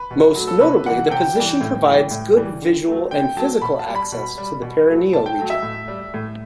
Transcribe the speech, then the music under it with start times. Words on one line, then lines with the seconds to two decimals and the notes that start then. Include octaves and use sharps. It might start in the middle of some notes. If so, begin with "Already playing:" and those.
Most notably the position provides good visual and physical access to the perineal region.
Already playing: B4
0.11 B2
0.35 F#3 A3
0.47 A4
0.60 C3 B4
0.86 E3 G3 F#5
1.10 C3 G5
1.36 E3 G3
1.61 A2
1.86 E3 G3
2.11 A2
2.37 E3 G3
2.62 D3
2.87 F#3 A3
3.11 D3 G5
3.36 F#3 A3 A5
3.62 B2 B5
3.79 A5
3.88 G3
3.95 B5
4.12 B2
4.38 G3
4.62 B2
4.88 F#3 A3
5.13 B2 A5
5.26 G5
5.39 F#3 A3
5.50 E5
5.62 A2
5.88 G3
6.14 A2